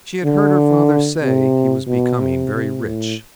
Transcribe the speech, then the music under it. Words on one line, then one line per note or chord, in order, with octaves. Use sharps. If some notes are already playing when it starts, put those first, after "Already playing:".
She had heard her father say he was becoming very rich.
D3
C3
B2
C3
C3
A2